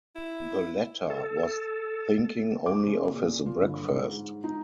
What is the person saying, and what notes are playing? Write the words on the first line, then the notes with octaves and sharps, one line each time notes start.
The latter was thinking only of his breakfast.
E4
A4
D6
C#3
A#2
F4
G1
G#2
D#4